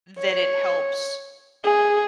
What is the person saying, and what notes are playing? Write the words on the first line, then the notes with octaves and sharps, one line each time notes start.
that it helps
C#5
G#4